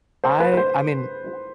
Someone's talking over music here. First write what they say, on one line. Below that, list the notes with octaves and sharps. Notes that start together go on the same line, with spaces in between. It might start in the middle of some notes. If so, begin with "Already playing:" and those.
I I mean, w
C5
B4
B4
C5